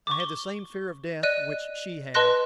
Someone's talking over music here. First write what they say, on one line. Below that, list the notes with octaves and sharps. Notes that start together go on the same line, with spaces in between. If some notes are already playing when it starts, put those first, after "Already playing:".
I had the same fear of death which she had.
C#6 D6
G7
D5 D#5 F#6 D#7
B4 D#5 A5 C6 F#6 A#6